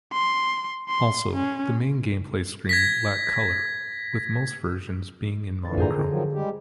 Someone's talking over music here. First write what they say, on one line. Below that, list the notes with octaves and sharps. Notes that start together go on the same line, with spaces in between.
Also, the main gameplay screen lacked colour, with most versions being in monochrome.
C6
C6
C#4
G#6 A#6 B6
A#2 D3 E3 A6
F2 G#2 G#4 C5 A#5
E2 A#2 D3 D#3
D#3 F3 F#3
G3 G#3 G4